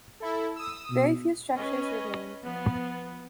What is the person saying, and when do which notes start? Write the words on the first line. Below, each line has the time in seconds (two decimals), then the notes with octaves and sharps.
Very few structures remained.
0.20 E4 A4
0.55 D#6 E6
0.91 B2
1.53 C#4 B4 D#5
2.43 F3 B3